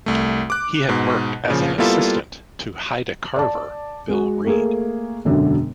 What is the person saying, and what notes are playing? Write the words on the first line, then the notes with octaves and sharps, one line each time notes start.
He had worked as an assistant to Haida carver Bill Reid.
C2 A3
D6 F#6
G#2 B2
A#2 C#3 F3
G3 A#3 B3 E4 F4 A4
D5 A5
G#3 F#4
A3 A#3 G#4
E1 F#2 D3 D4